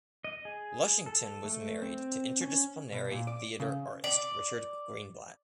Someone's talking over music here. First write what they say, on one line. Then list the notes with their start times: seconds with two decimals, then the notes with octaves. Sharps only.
Lushington was married to interdisciplinary theatre artist Richard Greenblatt.
0.24 D#5
0.45 G#4
1.06 A4
1.45 A3
1.82 C4
2.41 C#4
2.92 B2
3.11 A#2
3.27 D5
3.60 C#3
4.04 D5